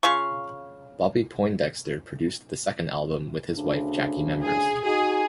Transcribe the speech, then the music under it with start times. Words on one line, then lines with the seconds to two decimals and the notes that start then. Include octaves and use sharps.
Bobby Poindexter produced the second album with his wife Jackie Members.
0.03 C#3 F4 F5 C#6
3.55 D2 C#3 D4
4.43 G#4
4.84 D#4 F#4 G#4